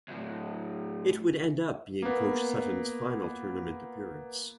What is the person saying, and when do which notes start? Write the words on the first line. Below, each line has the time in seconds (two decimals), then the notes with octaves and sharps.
It would end up being Coach Sutton’s final Tournament appearance.
0.08 D2 A2
2.02 A#3 B3